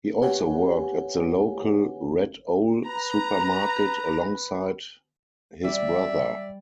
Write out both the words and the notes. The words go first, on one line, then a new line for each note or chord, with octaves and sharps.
He also worked at the local Red Owl supermarket alongside his brother.
G4 B4 C#5 F#5 G#5
B4 A#5
G3 D5 E5